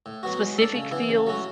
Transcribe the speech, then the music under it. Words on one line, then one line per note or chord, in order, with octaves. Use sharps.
specific fields?
A2
F#3 B3 F#4
G#3
D4 A4
C#3
E3 B3 E4
C#3
F#3 A3 C#4 F#4